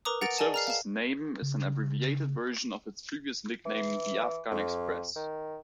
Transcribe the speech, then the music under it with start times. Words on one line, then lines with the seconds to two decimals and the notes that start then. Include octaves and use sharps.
The service's name is an abbreviated version of its previous nickname "The Afghan Express".
0.05 A#4 B4 A#5 D6 D#6
0.21 F#5 A#5 A6 A#6 D7
0.39 G#4 A#4 D5 D#5 G#5 A5
0.54 A#5 F6 C7
0.67 F5 E7
1.42 C#3
3.65 E3
4.51 F2
5.16 D#3